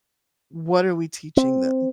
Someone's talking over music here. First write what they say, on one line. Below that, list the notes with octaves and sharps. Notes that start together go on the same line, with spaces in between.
"What are we teaching them?"
C4